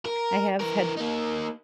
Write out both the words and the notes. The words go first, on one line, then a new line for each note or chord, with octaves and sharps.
I have had
A#4
E3 A#4
A#3 D#4